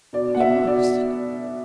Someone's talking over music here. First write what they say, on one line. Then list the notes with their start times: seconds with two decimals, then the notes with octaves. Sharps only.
You must.
0.13 B2 D5
0.35 F#5
0.40 B2 E5
0.67 B2 D5